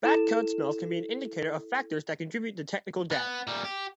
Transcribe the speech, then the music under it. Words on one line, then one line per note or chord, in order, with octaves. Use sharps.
Bad code smells can be an indicator of factors that contribute to technical debt.
E4 A4 E7
B3
A#2 G3
G4